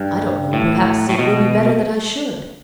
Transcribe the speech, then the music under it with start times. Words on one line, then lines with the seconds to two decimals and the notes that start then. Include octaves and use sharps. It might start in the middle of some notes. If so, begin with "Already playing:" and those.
"I don't know; perhaps it will be better that I should."
Already playing: G2
0.53 A2
1.09 A2
1.19 B2